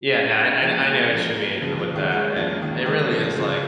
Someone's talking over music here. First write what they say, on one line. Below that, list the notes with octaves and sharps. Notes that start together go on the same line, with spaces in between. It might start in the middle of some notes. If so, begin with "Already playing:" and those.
Yeah. No. I I know what you mean with that, and it really is, like,
G#3 C#4
D#4
G#3 C#4
F3 A#3
G#3 C#4
F3 A#3
C#3 F3
C#3 F3
D#3 G#3
G#3 C#4
F3 A#3
D#3
D#3 G#3
C#3 F3
C#3 F3